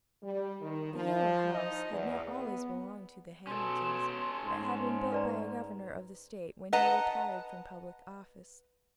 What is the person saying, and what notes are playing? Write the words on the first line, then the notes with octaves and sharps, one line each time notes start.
The Yellow House had not always belonged to the Hamiltons, but had been built by a governor of the state when he retired from public office.
G3
D#3
F3
D#4
E2
B3
B2 C#4 A4 C6
G#2
B4 D5 A#5
B4 D#5 F#5 A5 A#5